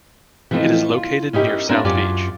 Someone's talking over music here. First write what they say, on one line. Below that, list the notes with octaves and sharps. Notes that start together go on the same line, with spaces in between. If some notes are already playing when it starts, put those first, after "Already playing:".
It is located near South Beach.
E3 F3 A3 A#3 C4 D#4
F4
C#4 D#4 E4 G4 A#4
A#3 C4 D4 A#4
F#2 F4 G4 D5